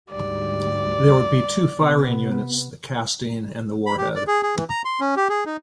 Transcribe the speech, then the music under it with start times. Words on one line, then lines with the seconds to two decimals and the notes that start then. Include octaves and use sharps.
There would be two firing units, the casting and the warhead.
0.11 D2 G#2 G3 D5
1.76 C3 B3
3.86 B5
3.98 G4
4.15 D5
4.27 G#4
4.43 G#4
4.56 E3
4.69 A#5
4.85 C6
5.00 C#4
5.16 G4
5.29 G#4
5.46 D#4